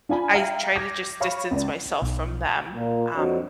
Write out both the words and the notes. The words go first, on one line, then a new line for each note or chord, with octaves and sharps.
I try to just distance myself from them, um,
D4 F4 G#5 B5
E5 F5 G5 A#5 F6 D#7
D6 G6 G#6 A#6
C#5 F5 B5 C#6
C#2 D5
B1
A#2
F2 D4 F#4 C5 C#5 D#5